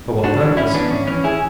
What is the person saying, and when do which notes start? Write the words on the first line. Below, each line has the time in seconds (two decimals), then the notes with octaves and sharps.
"For what purpose?"
0.24 G#2 D4 F#4
0.40 E3
0.57 G#2 C#4 E4
0.74 E3 B3 D4
0.90 G#2 C#4
1.07 E3 C#4
1.24 E4 G#4